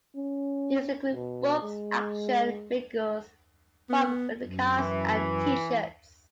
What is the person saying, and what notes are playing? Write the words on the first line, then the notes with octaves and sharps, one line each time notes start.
These include books, action figures, prop replicas and t-shirts.
C#4
B2
G#3
B3
F#2
E3